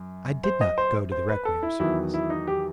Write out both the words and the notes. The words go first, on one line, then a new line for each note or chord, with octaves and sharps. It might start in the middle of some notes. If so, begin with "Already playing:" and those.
I did not go to the requiem service.
Already playing: F#2
C5
D#5
C5
C5
B4
A4
E4
E2 D#3 F#3 E4
E4
D#4
G4